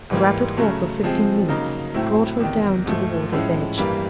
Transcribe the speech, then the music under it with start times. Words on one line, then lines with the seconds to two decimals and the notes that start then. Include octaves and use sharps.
A rapid walk of fifteen minutes brought her down to the water's edge.
0.11 G#2 E3 G3 A#3
0.57 C#3 F#3 A3 C#4
1.03 C3 F3 G#3 C4
1.48 C#3 F#3 A#3 D#4
1.94 A2 F#3 A3 C4 E4
2.40 E2 C3 D#3
2.86 G#2 F3 A3
3.33 A2 F3 G#3 C#4 E4
3.78 G2 E3 G3 A#3